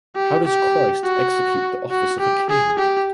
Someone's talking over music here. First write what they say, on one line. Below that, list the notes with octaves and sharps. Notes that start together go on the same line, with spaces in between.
How does Christ execute the office of a king?
G4
G4
F#4
F#4
G4
G#4
G4